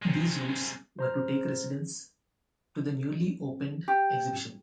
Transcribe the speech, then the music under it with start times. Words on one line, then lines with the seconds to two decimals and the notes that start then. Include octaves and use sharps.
These routes were to take residents to the newly opened exhibition.
0.02 C3 G#3
0.99 C5 A#5 F6
3.88 G4